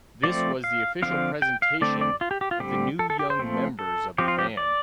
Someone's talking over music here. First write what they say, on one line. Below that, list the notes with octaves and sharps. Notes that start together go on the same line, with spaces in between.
This was the official presentation of the new young members of the band.
F3 A3 C4 D5
F5
D3 F3 C4 F5
G5
F5
D3 A3 C4 D5
D5
F4
G4
G4
F4
D3 G3 C4 G4
A4
A4
G4
C5
F3 A3 C4
A4
F3 C4 G4
F4
G4
D5